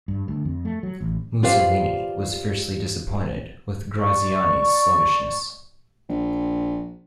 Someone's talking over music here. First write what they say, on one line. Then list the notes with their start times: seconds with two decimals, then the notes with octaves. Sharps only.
Mussolini was fiercely disappointed with Graziani's sluggishness.
0.08 G2
0.28 D2
0.45 F2
0.65 A3
0.83 F#3
1.01 A1
1.43 F4 G4 B4 C5 D5 F5
3.99 D5 C#6
6.09 A#1